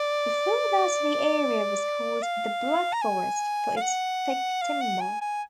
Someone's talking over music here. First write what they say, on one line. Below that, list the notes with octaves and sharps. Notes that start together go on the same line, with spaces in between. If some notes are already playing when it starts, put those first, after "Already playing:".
Before that the area was called the "Black Forest" for its thick timber.
Already playing: D5
F5
A#5
G#5
F5
F#5
F5
F#5
G#5
G#5